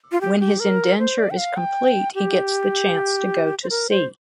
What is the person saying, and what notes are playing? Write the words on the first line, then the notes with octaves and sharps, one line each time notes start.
When his indenture is complete, he gets the chance to go to sea.
F4
G4
G4
A#4
C5
D5
G5
F5
G5
G4
C5
A#4
C5